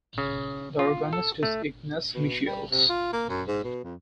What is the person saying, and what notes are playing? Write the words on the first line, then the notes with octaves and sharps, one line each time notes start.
The organist is Ignace Michiels.
C#3
F4
A4
A3
B2
G3
C3
F4
A#3
F#2
G#2
B2
F2